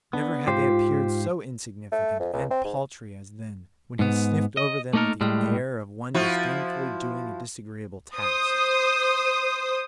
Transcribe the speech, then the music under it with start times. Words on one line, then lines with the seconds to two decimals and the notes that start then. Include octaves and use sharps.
Never had they appeared so insignificant and paltry as then, when he sniffed over them with the air of one disdainfully doing a disagreeable task.
0.13 B3 D4
0.47 G#2 F4 G4 C5
1.92 A3
2.20 F2
2.33 C#2
2.50 C4
2.64 G#2
3.99 G#2 B3
4.57 D#5
4.93 A3 A#3 D#4 A4 A#4
5.21 A2 G3 G#3
6.14 F3 E4 F#4
8.18 C5 D#6